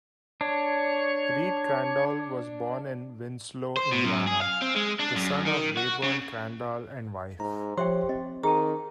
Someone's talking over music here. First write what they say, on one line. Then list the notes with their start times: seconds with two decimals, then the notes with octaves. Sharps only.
Reed Crandall was born in Winslow, Indiana, the son of Rayburn Crandall and wife.
0.41 D4 C#5
3.77 C5
3.92 B2
4.05 F#2
4.27 G#4
4.42 F5
4.62 C4
4.76 G#3
5.00 D4
5.17 F#2
5.47 D#3
5.77 F#4
6.03 C#3
7.40 G#2 A#5
7.78 F3 G4 C5 C#5 E5 G5 C6
8.09 C4 D#5
8.43 D#3 G#4 G5 A5 A#5